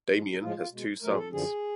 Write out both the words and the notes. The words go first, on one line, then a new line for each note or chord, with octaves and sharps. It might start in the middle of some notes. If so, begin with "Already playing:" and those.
Damien has two sons.
G#2 F3 G#3
A2 F3 G#3 F4
F4
B2 G#3
A2 F#3 A3 A#4
G#4
A4
F#2 D3 F3 G#4